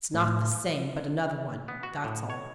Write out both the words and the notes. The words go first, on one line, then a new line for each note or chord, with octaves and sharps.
"It's not the same but another one; that's all."
A2
B3
F#4
A2
C#5